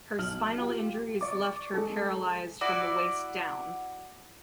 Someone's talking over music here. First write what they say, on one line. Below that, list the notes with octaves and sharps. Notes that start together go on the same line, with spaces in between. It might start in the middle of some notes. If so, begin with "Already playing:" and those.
Her spinal injuries left her paralysed from the waist down.
B1 F6 F#7
F4 G4
D5 C#6 D6
G#3 A4
E4 F#4 D5 D6